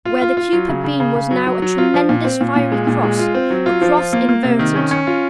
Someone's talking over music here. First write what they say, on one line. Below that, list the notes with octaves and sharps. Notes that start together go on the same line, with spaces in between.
Where the cube had been was now a tremendous, fiery cross--a cross inverted.
F4
F4
F4
F#3
C#3
C#3
C#3
C#3
F#3
F#3
F#3
F4
F3
A#2
C4
A#2
A#2
G#3
A#2
G#3
F4
C4
F#3
F4
F3
F4
A#3
A#3
C3
D#3
C#4
C#4
F4